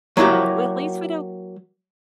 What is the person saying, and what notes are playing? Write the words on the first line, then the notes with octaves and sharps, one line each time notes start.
Oh, at least we don't
F#3 A#3 E4 F#4 G4